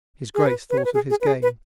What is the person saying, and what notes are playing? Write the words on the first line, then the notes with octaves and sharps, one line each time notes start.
His Grace thought of his game.
G#4
B4
B4
C#5
B4
G#4
G#4
B4
G#4
B4